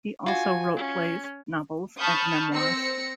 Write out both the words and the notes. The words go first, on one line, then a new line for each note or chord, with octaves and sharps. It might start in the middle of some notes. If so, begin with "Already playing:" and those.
He also wrote plays, novels and memoirs.
F4 F#4 G#5
C#4
A5 B5 C#6 D#6 F6 G6
C4 E6 A#6 C#7